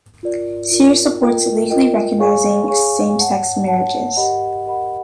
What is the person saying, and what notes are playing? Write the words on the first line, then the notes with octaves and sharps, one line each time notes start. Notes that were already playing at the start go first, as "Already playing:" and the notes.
Sears supports legally recognizing same-sex marriages.
F4 A#4 D5
F4 A#4 D5
F4 A#4 D#5 G5
F4 A#4 D#5 G5
G#4 C#5 F5 G#5 C#6
G#4 C#5 F5 G#5 C#6
C#5 F#5 A5
C#5 F#5 A5
G4 A#4 D#5 F#5 B5
G4 A#4 D#5 F#5 B5